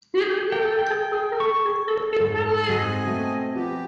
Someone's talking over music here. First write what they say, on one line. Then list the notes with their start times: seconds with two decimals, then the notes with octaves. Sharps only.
The idea at the bottom is the same everywhere.
0.52 G5
0.79 G5
1.40 C#6
2.20 G#2
2.69 G#2 C4 F#4 D#5 G#5 D#7
3.03 B2 A3
3.55 F3 B3 G4